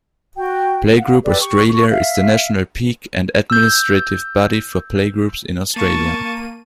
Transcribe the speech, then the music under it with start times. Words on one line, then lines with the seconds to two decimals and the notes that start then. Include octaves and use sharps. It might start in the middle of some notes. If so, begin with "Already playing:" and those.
Playgroup Australia is the national peak and administrative body for playgroups in Australia.
0.36 F#4 G5
0.96 F5 F#5
1.24 G4 A4 B4 D5
1.40 G4 C#6
1.69 A4 C#6
1.90 E5 F5
3.50 E6 G6
5.76 A#3 A5 C#6 D#7